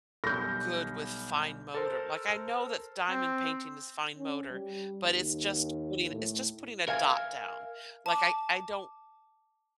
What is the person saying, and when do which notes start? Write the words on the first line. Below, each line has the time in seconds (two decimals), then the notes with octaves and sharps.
good with fine motor. Like, I know that diamond painting is fine motor, but it's just putting it's just putting a dot down. Like, I I don't
0.24 B1 G3 G6 A#6
1.74 A4 A#4 C5
3.09 C4
4.17 C#4
4.50 G3
5.05 D#2
6.11 A2
6.88 A#4 E5 F5 G#5
8.06 A5 D6